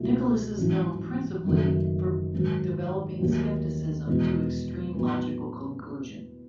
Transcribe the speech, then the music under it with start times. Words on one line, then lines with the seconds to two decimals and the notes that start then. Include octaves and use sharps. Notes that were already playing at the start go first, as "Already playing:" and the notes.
Nicholas is known principally for developing skepticism to extreme logical conclusions.
Already playing: C#2 B2 A3 E4
0.58 A1 G#2 F#3 C#4 E4
1.45 F#1 F#2 D#3 A3 C#4
2.32 G#2 D#3 F#3
3.20 D#2 D#3 F#3 A3
4.07 E2 B2 G#3 B3
4.95 A2 F#3 B3